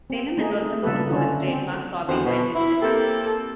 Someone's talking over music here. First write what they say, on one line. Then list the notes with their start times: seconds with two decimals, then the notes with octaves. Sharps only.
Salem is also known for his trademark sobbing when distressed.
0.10 C4
0.37 A3 D#4 G#4
0.83 C#3 G3 A#3 A4 B4
1.10 D3 C#4 D4 E4 F4
1.48 C4
2.08 E2 D3 D#3 C4 F#4 C5
2.25 B2
2.55 E4
2.82 A#3 C4 G4 A4